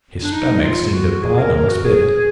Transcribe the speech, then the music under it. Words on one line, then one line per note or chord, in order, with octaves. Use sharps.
His stomach seemed a bottomless pit.
D4
D#4
F4
F#4
G#4
A#4
A#4
F#4
G#4